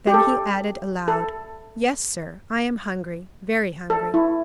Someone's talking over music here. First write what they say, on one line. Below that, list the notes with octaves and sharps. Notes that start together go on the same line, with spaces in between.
Then he added aloud, "Yes, sir, I am hungry--very hungry."
G4
A4
A4
A4
E4